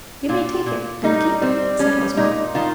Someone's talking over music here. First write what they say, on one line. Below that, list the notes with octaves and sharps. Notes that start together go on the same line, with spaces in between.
"You may take it and keep it," said Ozma.
A#2 F4
A#2
G3 D#4
G3 C4
G3 C#4
A#2 D#4
D#3 F4